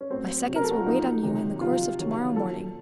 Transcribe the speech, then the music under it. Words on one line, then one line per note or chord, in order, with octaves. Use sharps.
My seconds will wait on you in the course of to-morrow morning.
C#4
A2 F#3 C4
C3 F#3
A#4
A4
F#4
F4
A#2 F3 D#4
C3 D#3 F#3
C3 F3 F4
C3 D#3 F#3
A#2 F3 A4